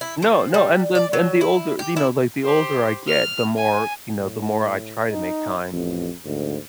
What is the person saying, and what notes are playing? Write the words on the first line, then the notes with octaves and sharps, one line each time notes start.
No, no, and then and the older you know, like, the older I get, the more you know, the more I try to make time,
E4
F3
G3
D5
F#3
E4
G4
E4
G4 C5
F6
G#5
A2
D#4
A1 F2
D2 G#2